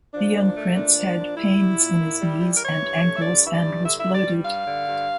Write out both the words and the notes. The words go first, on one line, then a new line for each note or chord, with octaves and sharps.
The young prince had pains in his knees and ankles and was bloated.
F3 D4
A#2
A3
A#2 D4
F3
A#2
G3 E4
G3
A#2
A#2
G3
G3
A#4
E3 C#5
G2
A3
E5
G2 D5
E3 E5
D5
G2
D3 E5
E5
G2
D5
G3
G2 F5
D3
G2